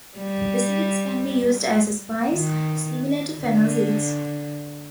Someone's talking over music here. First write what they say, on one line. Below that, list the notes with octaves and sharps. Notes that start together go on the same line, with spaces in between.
The seeds can be used as a spice, similar to fennel seeds.
G3
D#3
D3